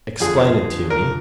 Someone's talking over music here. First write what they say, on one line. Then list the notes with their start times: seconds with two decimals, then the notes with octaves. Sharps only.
"Explain it to me."
0.20 F2 D3 F3 G#4
0.90 A#4